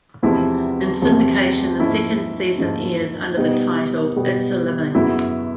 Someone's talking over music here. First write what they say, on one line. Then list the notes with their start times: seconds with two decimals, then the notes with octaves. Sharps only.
In syndication, the second season airs under the title "It's a Living".
0.23 E2 C3 F3 G#3 E4
1.02 E2 C3 F3 G#3
1.80 G#2 F3 A#3 C#4 E4
2.58 G#2 F3 A#3 C#4
3.37 B2 G3 B3 D#4
4.16 B2 G3 B3
4.95 F#2 C#3 F#3 B3 E4